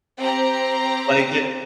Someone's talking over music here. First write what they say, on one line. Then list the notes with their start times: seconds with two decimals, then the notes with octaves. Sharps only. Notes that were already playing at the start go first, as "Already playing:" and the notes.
like, the
0.19 C4 G4 A#5